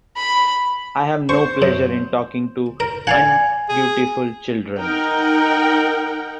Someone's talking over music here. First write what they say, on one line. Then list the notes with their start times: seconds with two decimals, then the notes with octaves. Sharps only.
I have no pleasure in talking to undutiful children.
0.17 B5
1.29 C5 C#6
1.62 F#2
2.80 A#4
3.07 D5 F5 F#5 G#5
3.69 G#4
4.79 D#4 A#4 F#5 G5